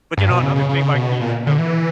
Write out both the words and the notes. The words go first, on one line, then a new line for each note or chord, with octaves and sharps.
But you know, another thing, like, these, you know
G2
B2
C#3
C#3
C#3
B2
A#2
D3
E3